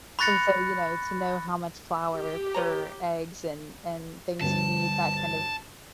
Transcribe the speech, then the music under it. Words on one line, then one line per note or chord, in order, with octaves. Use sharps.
and, so, you know, to know how much flour per eggs and and things you need, that kind of
B5 C#6 F#6 A6 A#6 C#7
G4
B4 C#5 A#5
G1 D2 G2 A5